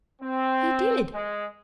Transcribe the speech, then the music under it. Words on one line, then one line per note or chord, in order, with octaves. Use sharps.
"He did."
C4
G#3